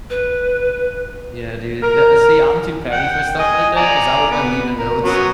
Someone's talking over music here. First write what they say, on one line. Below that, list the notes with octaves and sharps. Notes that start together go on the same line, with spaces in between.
Yeah, dude, d see, I'm too petty for stuff like that 'cause I woulda been leaving notes
B4
A#4
F#5 G5
D#5 G#5
D5 G#5 A#5
B3
A#4
F#3 B3 C#4